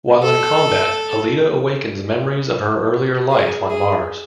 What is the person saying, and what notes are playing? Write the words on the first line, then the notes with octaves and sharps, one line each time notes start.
While in combat, Alita awakens memories of her earlier life on Mars.
A4
G#4
G#4